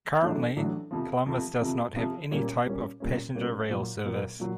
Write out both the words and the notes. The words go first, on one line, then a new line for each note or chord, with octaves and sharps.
Currently, Columbus does not have any type of passenger rail service.
A1 A2 F#3 A3 D4
A1 A2 F#3 A3 D4
F2 C3 F3
F2 C3 F3
F2 C3 F3
F2 C3 F3
A#2 G3 A#3 C#4
A#2 G3 A#3 C#4
A#2 G3 A#3 C#4
A#2 G3 A#3 C#4
A#2 F#3 A#3
A#2 F#3 A#3
A#2 F#3